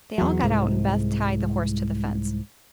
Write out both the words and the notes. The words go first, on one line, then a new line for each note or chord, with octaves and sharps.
They all got out and Beth tied the horse to the fence.
E2 F#3
C2 G#2